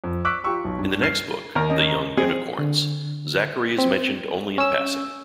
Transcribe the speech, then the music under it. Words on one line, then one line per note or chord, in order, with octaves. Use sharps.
In the next book, "The Young Unicorns", Zachary is mentioned only in passing.
F2
C#6 D6 E6 F#6 B6
F4 G4 G5 A#5 C#6 E6
B1
G2
F6 C7
D#2 A#4
C#4 D#5
C4 G#4
D3
C4
C#4 E6